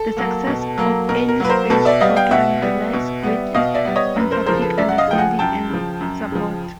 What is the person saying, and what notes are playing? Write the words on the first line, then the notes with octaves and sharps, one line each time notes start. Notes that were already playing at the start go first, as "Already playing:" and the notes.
The success of any space program relies greatly on public understanding and support.
Already playing: A4
F#3 A#3
B2
F#3 A#3
B2 A#4
A#4
F#3 A#3 B4
A#4 C5
B2 A4 B4
D5 E5
G3 B3 D#5 F5
F5 G5
B2 E5 F#5
G3 B3
B2
G3 B3
B2 D#5 F5
D5 E5
G3 B3
C#5 D#5
F#2 B4
A#4 C5
C#3 F3 A#4 C5
A4 B4
F#2 D5 E5
F#5
D#5 F5
C#3 F3 G5
F#5 G#5
F#2 G5 A5
C#3 F3
F#2
C#3 F3